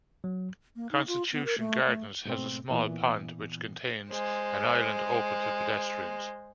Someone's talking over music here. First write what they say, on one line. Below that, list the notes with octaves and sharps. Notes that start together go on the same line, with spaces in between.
Constitution Gardens has a small pond, which contains an island open to pedestrians.
F#3
A#3
D#4
F4
B3
A#4
A3
A3
G#2 B2 A3 C4
A#2 E3 B3
G#3 C5